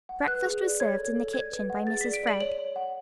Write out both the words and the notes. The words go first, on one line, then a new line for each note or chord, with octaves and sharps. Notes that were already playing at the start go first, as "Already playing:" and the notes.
Breakfast was served in the kitchen by Mrs. Freg.
F#5
B4 F#6
G#4
D5
C#5 G#6
A4
A4
D5 G#6
B4
F#5
G#4 A6
B6
D5
D7
D5 F#7
C#5 F#7
C#5
F#5